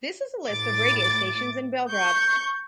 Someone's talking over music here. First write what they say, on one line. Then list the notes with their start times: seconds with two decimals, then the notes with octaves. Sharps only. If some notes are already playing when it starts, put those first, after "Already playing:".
This is a list of radio stations in Belgrade.
0.47 A2 D6 A6
1.89 C#6 G6